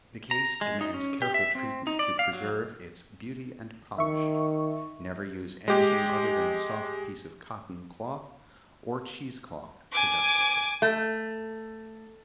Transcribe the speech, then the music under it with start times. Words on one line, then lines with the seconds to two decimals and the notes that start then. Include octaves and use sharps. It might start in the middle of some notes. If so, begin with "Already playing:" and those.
The case demands careful treatment to preserve its beauty and polish, Never use anything other than a soft piece of cotton cloth or cheese cloth to dust it with.
0.31 A#5
0.61 G#3
0.81 D#4
0.94 C#4
1.22 G4
1.34 E5
1.55 C4
1.87 D#4
1.99 D5
2.19 F5
2.33 F#3
3.98 D#3 E5 C#6
5.68 G#3 G4
9.93 G#5 D6
10.82 A3